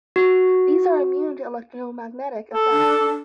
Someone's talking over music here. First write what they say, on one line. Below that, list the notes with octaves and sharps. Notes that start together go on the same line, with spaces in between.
These are immune to electromagnetic effects.
F#4
A4
D4